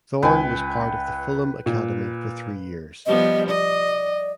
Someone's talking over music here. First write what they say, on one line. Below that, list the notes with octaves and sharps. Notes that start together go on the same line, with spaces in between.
Thorn was part of the Fulham academy for three years.
C#2 B4 G5 G#5
A#2
F3 G3 B3 D#5
D5 D#5